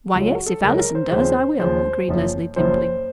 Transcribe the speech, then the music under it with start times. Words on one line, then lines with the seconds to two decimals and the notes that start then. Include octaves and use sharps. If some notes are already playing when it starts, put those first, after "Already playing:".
"Why, yes, if Allison does, I will," agreed Leslie, dimpling.
0.14 C#2 C#3 F#3 F4
0.31 F#4
0.46 A4
0.62 C#2 C#3 F#3 A#4
0.79 A#4
0.95 C5
1.11 D#2 C#3 F3 C5
1.59 D#2 C#3 F3 C5
2.08 F#1 F#2 F3
2.56 F#1 F#2 F3 C5